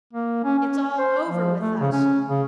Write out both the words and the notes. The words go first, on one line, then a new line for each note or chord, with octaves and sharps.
It's all over with us.
A#3
C#4
C#4
C5
F3
A3
C#3
C#4
C#3